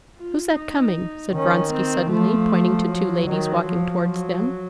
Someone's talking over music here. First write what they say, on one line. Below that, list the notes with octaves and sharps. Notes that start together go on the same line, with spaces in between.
"Who's that coming?" said Vronsky suddenly, pointing to two ladies walking towards them.
F4
D#4
D#3 C#4
C4
F3 A3
F#3
D#3
F3
F#3